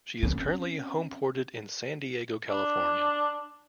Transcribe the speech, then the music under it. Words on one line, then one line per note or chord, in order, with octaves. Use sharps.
She is currently homeported in San Diego, California.
C4 C#4
D4